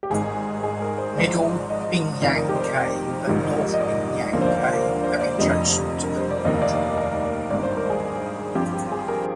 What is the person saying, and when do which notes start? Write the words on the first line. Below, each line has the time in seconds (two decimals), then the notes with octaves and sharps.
Middle Binyang Cave and North Binyang Cave are adjacent to the nort.
0.03 G4
0.10 G#1 G#2 D#3 G#4
0.63 G#4
0.82 A#4
0.98 C5
1.17 G#1 G#2 F3 G#3 D5
1.70 D#5
2.22 F1 F2 D#3 D5
2.36 A#4
2.49 G4
2.55 C5
2.62 A#4
3.27 A#1 G#2 D#3 G3
3.74 D#5
3.80 D5
4.33 D#2 D3 F3 A#3
4.41 C5
4.47 D5
4.60 C5
4.73 A#4
5.04 C5
5.21 D5
5.38 F1 F2 D3 G3 D#5
6.04 A#4
6.17 C5
6.31 D5
6.44 F1 D#2 D#3 A#3 D#5
6.62 D5
6.97 A#4
7.50 G#1 G2 D#3 D5
7.63 C5
7.77 A#4
7.90 G#4
8.55 G2 F3 C4 G4
8.74 G4
8.92 G#4
9.08 A#4